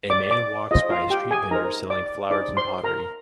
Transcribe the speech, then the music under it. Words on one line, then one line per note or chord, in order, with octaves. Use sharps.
A man walks by a street vendor selling flowers and pottery.
D5 D6
D5 D6
F4 G#4 C5 D#5
F4 F5
G4 G5
G#4 G#5
D#4 G#4 A#4 C5 A#5
D5 D6
D#4 G#4 C5 D5 D6
C5 C6
A#4 A#5